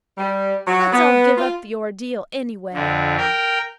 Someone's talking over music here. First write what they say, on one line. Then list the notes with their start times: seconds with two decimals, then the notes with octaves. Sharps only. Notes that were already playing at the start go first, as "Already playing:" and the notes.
Let's all give up the Ordeal, anyway.
0.18 G3
0.67 F#3
0.92 B3
1.38 F4
2.73 F2 D3
3.17 A#4 G5